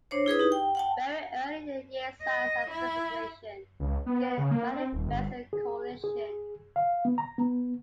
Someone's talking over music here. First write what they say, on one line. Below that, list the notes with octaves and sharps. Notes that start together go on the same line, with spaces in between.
Very early in the year signs of disintegration became manifest in the coalition.
D4 C5 C#5
E4 G#4 B4 D#6
D#4 G4
G5
F#5 G5 A5
D#5
E4
C#2
B3
C#3
A#3
C4
D#1
G1
G#4
G#4
F5
B3
A#5
B3